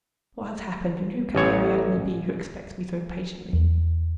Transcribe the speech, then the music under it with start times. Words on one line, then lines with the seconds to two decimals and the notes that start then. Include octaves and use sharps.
What has happened, and who can the Ariadne be who expects me so impatiently.
1.35 A1 C#5
3.53 E2